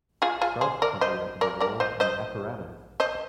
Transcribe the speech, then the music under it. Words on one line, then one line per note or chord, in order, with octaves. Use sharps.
Frost covered the walls and apparatus.
F4 G#4
F4 G#4
G#4 C5
A#4 D5
C5 D#5
A#4 D5
A#4 D5
C5 D#5
C5 D#5
C5 D#5